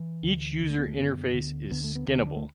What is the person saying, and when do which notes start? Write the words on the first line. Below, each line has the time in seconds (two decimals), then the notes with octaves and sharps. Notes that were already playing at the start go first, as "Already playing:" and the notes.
Each user interface is skinnable.
Already playing: E3
0.23 D2 D3
0.60 D2 D3
0.70 A3
0.78 B3
0.88 A3
0.96 F#2 D3 B3
1.34 D2 D3
1.71 D2 D3 B3
1.84 A3
1.95 B3
2.07 D2 D3 D4
2.17 B3
2.26 D4
2.36 A3